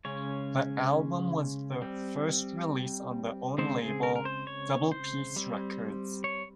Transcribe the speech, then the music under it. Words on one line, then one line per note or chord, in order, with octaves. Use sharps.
The album was the first release on their own label Double Peace Records.
C#3 G#3 C#4 C#5
G3 C4
C#3 G#3 C4 C5
G#4
A#4
A#4
C5
C#5
C5
G3 C4
C#5